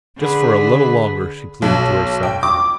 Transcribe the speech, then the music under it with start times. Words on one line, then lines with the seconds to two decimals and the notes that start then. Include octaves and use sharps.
Just for a little longer, she pleaded to herself.
0.17 D3 G#4 B4
1.62 B1
2.23 G5
2.43 D6